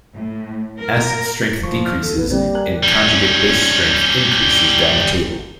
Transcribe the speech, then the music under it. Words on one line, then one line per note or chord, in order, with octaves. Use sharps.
Acid strength decreases and conjugate base strength increases down the table.
A2
A#4
D#2 F3 C#6
F6
E3 A4
A1 A2 B4
D3 G3 A#3 C4
A#4 G#5 F#6
G3 C#4